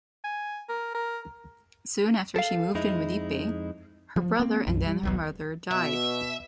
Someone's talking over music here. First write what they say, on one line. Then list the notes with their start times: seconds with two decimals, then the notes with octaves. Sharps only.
Soon after she moved in with Ippei, her brother and then her mother died.
0.24 G#5
0.69 A#4
0.95 A#4
2.36 A4 F5
2.75 F2 G#3 D#4 E4
4.16 F3
4.40 A#3 C4
4.67 B1 F#2 F3
4.86 G3
5.03 E1 B1 E2
5.71 B2 E5